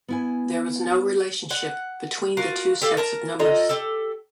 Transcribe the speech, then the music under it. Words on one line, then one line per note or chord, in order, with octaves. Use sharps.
There was no relationship between the two sets of numbers.
B3 E4 G#5
F#5
F4 F#4 A#4 F5
G4 A4 F5
A#4 A5 A#5
F4 A4 D#5 A#5
G4 A4